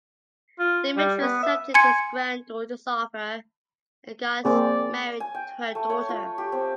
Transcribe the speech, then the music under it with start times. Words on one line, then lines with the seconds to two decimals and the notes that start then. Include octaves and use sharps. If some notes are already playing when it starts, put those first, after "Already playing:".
Demetrius accepted his granddaughter’s offer and got married to her daughter.
0.59 F4
0.97 G3
1.22 B3
1.43 E5
1.74 G#5 C6 G#6 C#7
4.45 A#3 C4 G#4 D5
5.20 G#5
5.35 G5
5.75 A3
5.90 C#5
6.09 F4
6.38 G4
6.52 C4